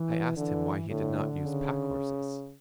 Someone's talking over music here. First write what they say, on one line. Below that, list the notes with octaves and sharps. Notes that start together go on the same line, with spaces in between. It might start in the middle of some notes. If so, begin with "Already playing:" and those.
I asked him why he did not use pack-horses.
Already playing: E3
D3 E3
A2 D3
C#3